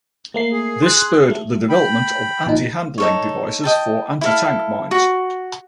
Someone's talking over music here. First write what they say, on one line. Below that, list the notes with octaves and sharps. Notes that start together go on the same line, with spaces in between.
This spurred the development of anti-handling devices for anti-tank mines.
A3 A#3 C7
G#4
C6 F#6
A3
G5 B5
A#1 A#2 D#4
D#4 A4 C#5
D#5 G5 A5
E4 A4 F5
F#4